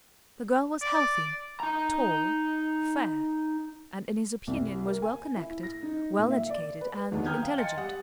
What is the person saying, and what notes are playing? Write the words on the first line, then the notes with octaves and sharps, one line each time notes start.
The girl was healthy, tall, fair, and in his opinion was well connected, well educated and intelligent.
D5
D#4 A#5
C2
A#4
G#5
E4
A#6
D#4
A#2
E5
D5
B4
D#2 D3 D#3 F#3 G#3 B3
G5 A#5 D#6 F6 G6 G#6
F5 G5
D#5 G5 G#5 C6 A6 C#7
G3 F#5 D#6